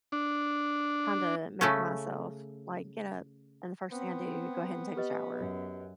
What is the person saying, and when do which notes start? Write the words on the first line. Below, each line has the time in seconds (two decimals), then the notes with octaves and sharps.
kinda make myself, like, get up, and the first thing I do, go ahead and take a shower
0.12 D4
1.61 C#3 A3 C#4
3.92 B3 C4
4.96 G4 B4 D#5
5.37 F#2